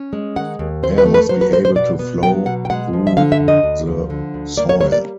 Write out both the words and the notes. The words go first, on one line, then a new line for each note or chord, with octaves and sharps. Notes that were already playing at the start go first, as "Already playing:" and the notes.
Air must be able to flow through the soil.
Already playing: C#4
G#3
D#3 F#5
D#2
C4 C5
B4
A3
B4
F#3 C5
B4
A2 C5
C5
B2 D5
B3
F#3 G5
B2 F#5
G5
G#3 F#5
F3
E5
D3 F5
E5
F2
D#5
D2
F3
D3
D2
A#3 D5
C#5
G3 C#5
D5